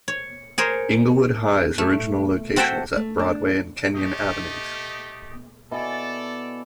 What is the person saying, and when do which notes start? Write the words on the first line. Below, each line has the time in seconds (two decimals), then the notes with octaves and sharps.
Englewood High's original location was at Broadway and Kenyon Avenues.
0.08 C#5
0.58 G#4 A#4 C5 C#5
1.78 A3
2.56 C4 F#4 A4 C5 E5 G5
2.96 A3
3.19 D4
3.93 A3 G4 D#5
5.71 B2 E4 A4 D5 G#5